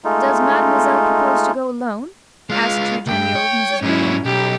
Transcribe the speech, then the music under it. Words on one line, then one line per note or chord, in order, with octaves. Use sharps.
"Does mademoiselle propose to go alone?" asked Eugenio of Mrs. Miller.
G#3 A3 D#4 F4
G#3 F4 F5
C#2 G2 G5
C#5
G#2 F#3 C#4 E4
B1 G4